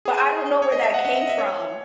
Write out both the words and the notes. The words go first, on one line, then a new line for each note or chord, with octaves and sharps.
But, I don't know where that came from.
G#4
C#5
D#5
E5
F#5
F#5
E5
D#5
E5
C#5